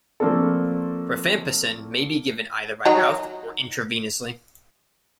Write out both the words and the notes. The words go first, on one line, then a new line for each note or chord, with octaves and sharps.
Rifampicin may be given either by mouth or intravenously.
F3 A3 A#3 C4 D4 A4
D#3 F#3 D#4